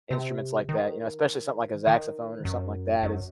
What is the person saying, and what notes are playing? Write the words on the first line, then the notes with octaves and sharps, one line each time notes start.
instruments like that, you know, especially something like a saxophone or something like that is
C3
D#3
D#3
F#2
F#2